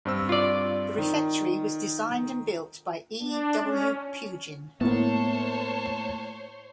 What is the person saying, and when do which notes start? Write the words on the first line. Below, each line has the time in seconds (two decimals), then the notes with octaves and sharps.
The Refectory was designed and built by E. W. Pugin.
0.05 G2 C4 E6
0.29 F4 D5
0.98 D#3
3.22 D4
3.60 C#4
4.81 A2 A#3 B3 E4 C5 C#5 A5